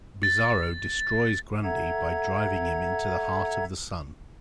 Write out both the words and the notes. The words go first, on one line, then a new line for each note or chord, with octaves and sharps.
Bizarro destroys Grundy by driving him into the heart of the Sun.
A6
A4 E5 F#5 A#5 G#6